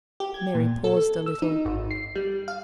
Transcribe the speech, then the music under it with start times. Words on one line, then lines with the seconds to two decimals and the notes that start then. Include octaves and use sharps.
Mary paused a little.
0.20 G4
0.34 G#6
0.55 A#2
0.84 A4
1.26 E6
1.42 D#4
1.65 G#1
1.91 C7
2.15 G3
2.48 F5